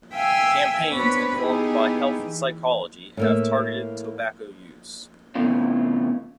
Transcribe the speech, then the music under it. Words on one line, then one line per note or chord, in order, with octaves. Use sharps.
Campaigns informed by health psychology have targeted tobacco use.
E5 F5 G5 G#5 E6
B3 C4 D4 B4 C#5 B5
B3 D#4 E4 G4 G#4
E3
A2 A#3 E5
C3 E3 A3 B3 C#4 F4